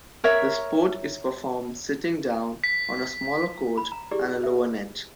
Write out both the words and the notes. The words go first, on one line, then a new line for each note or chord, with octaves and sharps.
The sport is performed sitting down, on a smaller court and a lower net.
A#4 C#5 E5
B6
B5
A#5
E4 G4 G#4 D5
E5